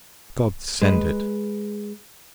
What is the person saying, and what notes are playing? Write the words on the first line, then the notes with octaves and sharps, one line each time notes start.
God send it!
G#3 B4